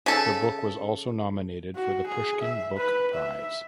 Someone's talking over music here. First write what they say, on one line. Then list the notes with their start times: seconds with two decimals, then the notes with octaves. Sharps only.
The book was also nominated for the Pushkin Book Prize.
0.06 C#3 A4
1.76 F#4
2.07 G#4
2.42 E5
2.77 B4
3.14 E5